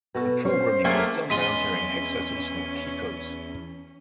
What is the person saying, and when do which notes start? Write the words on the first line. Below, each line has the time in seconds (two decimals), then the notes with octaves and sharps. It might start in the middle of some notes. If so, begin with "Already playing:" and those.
The programming was done by entering hexadecimal key codes.
0.15 B2 F#4 A4 B4
0.45 C#4 C5
0.84 A3 A#3 G#4 A#4 C5 F#5 G5
1.30 E2 G#3 C#4 F4 B6 D#7 G7